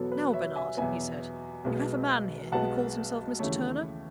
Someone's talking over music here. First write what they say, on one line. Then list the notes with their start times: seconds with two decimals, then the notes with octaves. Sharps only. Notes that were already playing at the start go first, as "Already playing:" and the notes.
"Now, Bernard," he said, "you have a man here, who calls himself Mr. Turner?"
Already playing: E2 B2 F#3 B3 A4
0.12 B4
0.33 C#5 E5
0.56 E5 G#5
0.77 E2 B2 F#3 B3 E5 G#5
1.64 B1 B2 G#3 B3
2.52 B1 B2 G#3 B3 F#5 A5
3.39 D#2 C#3 E3 A3 C#5 E5